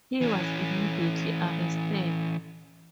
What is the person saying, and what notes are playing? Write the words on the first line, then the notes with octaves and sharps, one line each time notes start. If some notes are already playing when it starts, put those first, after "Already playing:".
He was immediately arrested.
E3 C#4